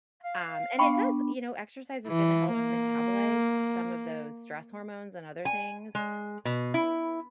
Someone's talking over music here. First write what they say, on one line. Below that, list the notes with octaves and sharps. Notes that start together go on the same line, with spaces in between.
um, and it does you know, exercise is gonna help metabolize some of those stress hormones and other things,
F5
B3 D4 G5 B5 C#6
E3
A#3
G#5
G#3
B2
E4